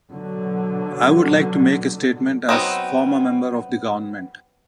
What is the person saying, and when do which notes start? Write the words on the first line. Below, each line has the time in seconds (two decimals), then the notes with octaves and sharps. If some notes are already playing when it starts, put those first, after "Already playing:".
I would like to make a statement as former member of the Government.
0.12 B2 D3 F#3
2.49 F#3 B3 C4 D#4